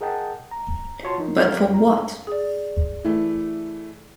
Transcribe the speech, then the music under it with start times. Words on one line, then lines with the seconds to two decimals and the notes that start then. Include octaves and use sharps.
But for what?
0.01 G#4 A#4 D#5 F#5 G5 A5
0.51 A#5
1.03 F4 F#4 C#5 A5 C6 C#6
1.18 F3 D#4 A#4
1.43 G4 A4 A#4 C#5 F5 F6
1.70 F4 A#5
2.27 G#4 D5
3.05 E3 A3